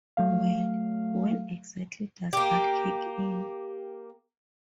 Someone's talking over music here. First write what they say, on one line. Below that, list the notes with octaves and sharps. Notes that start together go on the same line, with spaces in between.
Well, when exactly does that kick in?
F#3 A3 F5
A#3 G4